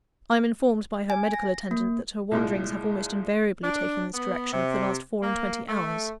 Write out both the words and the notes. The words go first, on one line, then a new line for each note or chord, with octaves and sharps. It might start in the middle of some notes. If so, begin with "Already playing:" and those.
I am informed by her medical attendant, that her wanderings have almost invariably taken this direction for the last four-and-twenty hours.
G#5
A#6
A#3
C2 A#2 G#3
D4
B3
C3
A#3
A3